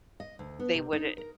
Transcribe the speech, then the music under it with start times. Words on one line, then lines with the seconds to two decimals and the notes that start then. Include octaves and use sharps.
they would i
0.20 D#5
0.39 D2
0.60 B3
0.74 C3
0.93 D#4
1.18 A#4